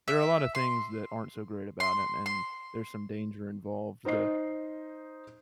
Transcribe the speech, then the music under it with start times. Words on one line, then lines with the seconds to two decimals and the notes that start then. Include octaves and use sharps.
there are a lot of things that aren't so great about it and there's some danger involved, the
0.08 E5
0.55 C6
1.80 C6
2.26 C6
4.05 D#4 C5 D#5 C7